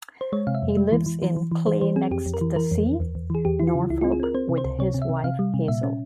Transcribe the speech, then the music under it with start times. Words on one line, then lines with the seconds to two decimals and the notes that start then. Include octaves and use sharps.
He lives in Cley-next-the-Sea, Norfolk with his wife Hazel.
0.21 C5
0.32 G#3 C#5
0.47 C3 F5
0.55 E5
0.62 F2
0.77 G#3
0.92 E3
1.06 E3
1.22 E3
1.37 E3
1.52 E3
1.67 E3 C5
1.81 E3 C5
1.96 C4 G#4
2.11 F2 G4
2.26 F2
2.34 A#4
2.41 E3
2.56 E3 A#4
2.71 F2
2.86 F2
3.00 E2
3.15 E2
3.30 E3 G#4
3.45 E2 G4
3.60 E3 E4
3.67 F4
3.75 C#3
3.90 C#2 E4
4.01 C4 F4
4.12 G#4
4.20 C4 A#4
4.34 C4 C5
4.49 C3
4.58 C5
4.65 C#2
4.79 C3 C#5
4.94 C3
5.02 E5
5.09 C3
5.24 C3 F5
5.39 G3
5.54 C3
5.68 A#2 E5
5.83 C#4